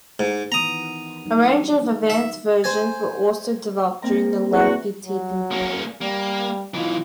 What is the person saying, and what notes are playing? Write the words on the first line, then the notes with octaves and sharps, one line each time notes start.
A range of advanced versions were also developed during the lengthy teething period.
G#2
D#3 E3 B3 A#5 D#6
F#3 G3 D#4
E5
C5 G#5
A#3 C4 A#5
E2 F#4
F#3
A#3 C#4
G3 A#3
B1 E3 F4